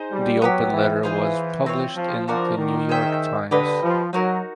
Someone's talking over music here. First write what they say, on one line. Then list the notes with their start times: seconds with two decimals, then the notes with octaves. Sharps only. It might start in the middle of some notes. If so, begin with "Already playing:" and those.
The Open Letter was published in The New York Times.
Already playing: D#4 G#4 C5
0.11 G3
0.42 F#3 B3 D#4 G4
0.73 E3
1.03 E3 F4 G#4 C5 F5
1.66 C4 F4 A4 C#5
1.96 F3
2.27 F3 D4 F#4 A#4 D5
2.58 D#3
2.89 G#4 C5 E5 G5
3.51 D3 G4 B4 D#5
3.83 F3
4.13 F#3 D#4 F#4 A#4